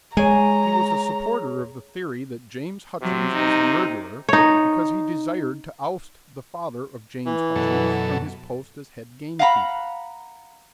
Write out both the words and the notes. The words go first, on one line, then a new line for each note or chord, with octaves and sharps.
He was a supporter of the theory that James Hutchings was the murderer because he desired to oust the father of James Hutchings from his post as head-gamekeeper.
G#3 G#4 C#5 G#5 A#5
C3 F#3
D#4
D#4 C#5
E3
F#2 B2 A4
F5 F#5 A#5 B5